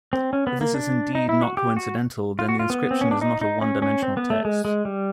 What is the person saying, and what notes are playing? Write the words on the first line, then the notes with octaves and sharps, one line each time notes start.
If this is indeed not coincidental then the inscription is not a one-dimensional text.
C4
C#4
B3
A#3
D4
D#4
E4
F#4
G4
F#4
F4
F#4
F4
B3
C4
C#4
D4
D#4
D#4
C#4
C#4
C4
B3
A3
G#3
G#3
G3